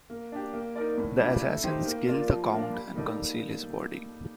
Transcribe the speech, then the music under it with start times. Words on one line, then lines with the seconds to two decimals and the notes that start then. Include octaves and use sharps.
The assassins kill the Count and conceal his body.
0.10 A#3
0.32 D4 G4
0.53 A#3
0.76 D#4 A#4 D5
0.97 A2
1.20 G3 D4 F4
1.42 A3
1.64 D#4 G4 C5
1.85 A#3
2.07 F4 A#4 D5
2.29 F3
2.52 A#3 D4 F4
2.73 G3
2.95 A#3 D#4 A4 D5